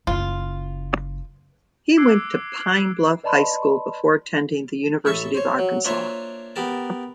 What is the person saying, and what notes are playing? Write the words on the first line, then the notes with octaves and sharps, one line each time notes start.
He went to Pine Bluff High School before attending the University of Arkansas.
F#1 F4
D6 E6 F#6 G#6 C7 D7
B4 D5 D#5 A5 B5 C6
A1 A4 E5 C#6
C5 C#5
F#3
A#3 D4 F4 C5 C#5 E5
B3 G4 A#4 A5